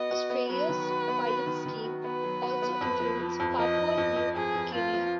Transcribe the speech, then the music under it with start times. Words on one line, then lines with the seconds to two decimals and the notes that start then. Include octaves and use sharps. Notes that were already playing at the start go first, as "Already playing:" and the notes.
Australia's pilot scheme also includes Papua New Guinea.
Already playing: B3 F#4 D#5
0.11 F#4
0.30 B3
0.49 F#3 B4
0.69 D#3
0.89 F#4
1.08 B3
1.26 F#4
1.46 D#3
1.65 D#3
1.84 F#4
2.04 B3 B4
2.23 F#3
2.42 F#4
2.62 B3
2.81 F2
3.00 F3
3.19 F3
3.40 F2
3.58 F3 D#5
3.78 F2
3.97 F2
4.16 F2
4.36 F2 G#4
4.55 F2
4.74 F2 F4
4.94 F3